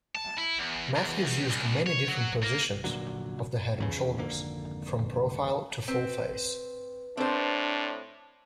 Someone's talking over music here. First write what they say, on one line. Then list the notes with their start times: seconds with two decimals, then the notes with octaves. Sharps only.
Matthews used many different positions of the head and shoulders, from profile to full-face.
0.15 A5
0.38 E4
0.59 E2
0.96 E2
1.49 C2
1.87 C#5
2.08 F#3
2.42 A#3
2.84 F1 A#2 D3 F#3
3.78 D#1 E2 C#3
4.18 G#1 F2 D3 A#3
5.88 C4 B4
7.17 A2 C4 D4 C5